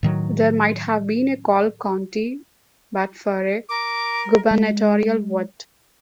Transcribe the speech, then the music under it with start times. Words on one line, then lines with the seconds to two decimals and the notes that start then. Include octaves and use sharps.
There might have been a Call County but for a gubernatorial vote.
0.03 A2 D#3 F#3
3.69 A#4 D6
4.51 G#3